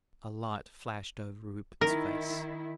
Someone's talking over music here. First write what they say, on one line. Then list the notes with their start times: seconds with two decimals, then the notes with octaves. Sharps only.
A light flashed over Rupert's face.
1.81 D#3 E4 A#4